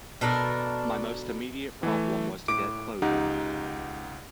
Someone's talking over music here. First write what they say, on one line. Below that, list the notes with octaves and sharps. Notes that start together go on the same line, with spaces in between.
My most immediate problem was to get clothing.
B2 D4 A4 A#4
E3 A3
A2 D6 D7
C#2 D#4 G4 F#5